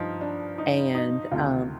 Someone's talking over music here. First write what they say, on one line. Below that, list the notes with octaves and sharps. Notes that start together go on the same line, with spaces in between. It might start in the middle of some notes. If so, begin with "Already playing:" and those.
and, um,
Already playing: G2 F3 D#4
D4
D#4
D#4
D2 C3 D#3 F4